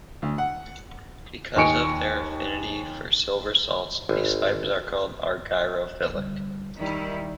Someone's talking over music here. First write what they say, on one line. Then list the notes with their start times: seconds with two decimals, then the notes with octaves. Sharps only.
Because of their affinity for silver salts, these fibers are called argyrophilic.
0.22 D2
0.38 F#5
1.56 D#2 D#5 G#5 C#6 C#7 D7
4.09 G#1
6.09 D3 G3
6.78 D#2 D#3 E3 G3 E4